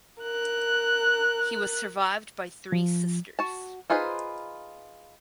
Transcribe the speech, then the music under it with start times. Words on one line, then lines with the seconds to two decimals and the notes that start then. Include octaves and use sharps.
He was survived by three sisters.
0.21 A#4 F#6
2.72 F3
3.39 F#4 A5
3.90 D#4 F4 G#4 B4 C5